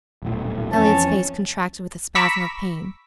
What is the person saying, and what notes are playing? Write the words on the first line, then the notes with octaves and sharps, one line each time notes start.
Elliott's face contracted with a spasm of pain.
D#1 B1 A2
F2 E3 C#4 A5
A#5 B5 C#6 D6 E6 B6